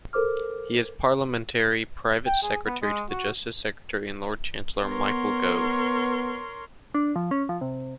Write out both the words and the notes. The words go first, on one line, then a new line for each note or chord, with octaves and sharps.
He is Parliamentary Private Secretary to the Justice Secretary and Lord Chancellor, Michael Gove.
A4 A#4 C5 D6 F6
G5
G#4
B3
G#3
F#4
B3 A#4 C#5 C6
D4
F3
C#4
F3
C3